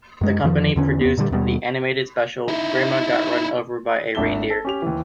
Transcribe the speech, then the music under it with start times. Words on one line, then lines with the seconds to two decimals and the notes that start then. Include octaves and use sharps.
The company produced the animated special "Grandma Got Run Over by a Reindeer".
0.21 F#2 G#3
0.44 F2 D#3 F3
0.76 E2 D3 C#4
1.01 E2 B3
1.17 A#2 D3 D#3 G3
1.31 D#2 B2 G3
2.48 D#4 E4
4.15 G#1 D4 E5 G7
4.50 A4
4.65 C#4 G4 F7
4.82 D#2 E3